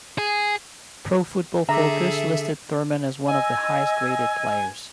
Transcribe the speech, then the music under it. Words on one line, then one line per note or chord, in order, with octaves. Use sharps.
Pro Football Focus listed Thurman as one of the highest graded players.
G#4
D3 G#4 A4 E5 A#5
D#5 G#5 E6